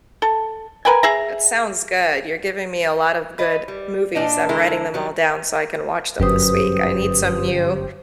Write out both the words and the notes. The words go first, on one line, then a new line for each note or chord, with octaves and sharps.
That sounds good, you're giving me a lot of good movies. I'm writing them all down so I can watch them this week, I need some new
A4
A#4 B4 G5 G#5
G#4 E5 A#5
B4 D#5
G3
A#2 D4 D#5
D3 G#3 E4 A4 A#4
F#3 G3
G1 F#2 G4 B4 C5 D#6